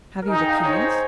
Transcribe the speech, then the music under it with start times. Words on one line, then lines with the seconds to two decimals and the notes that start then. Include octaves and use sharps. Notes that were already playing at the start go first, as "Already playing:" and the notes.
"Have you the keys?"
0.22 A#4
0.28 D#4 G#4
0.40 G5
0.49 F5
0.57 D#4 D#5
0.65 C#5
0.73 G#4 C5